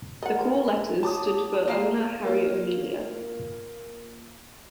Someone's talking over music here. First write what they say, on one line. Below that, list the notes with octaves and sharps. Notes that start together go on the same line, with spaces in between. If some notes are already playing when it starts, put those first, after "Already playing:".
The call letters stood for owner Harry O'Melia.
A#4 D#5 F#5 A6
F#3 A5 D6 D#6
A#3 F4 F5
A#3 F4